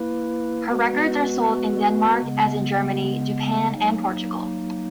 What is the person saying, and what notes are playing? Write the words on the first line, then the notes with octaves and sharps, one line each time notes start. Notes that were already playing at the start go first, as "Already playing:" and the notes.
Her records are sold in Denmark as in Germany, Japan and Portugal.
Already playing: A#3 E4 B4
G#3 B3 F#4 B4
C#3 G#3 B3
F#3 A#3 D#4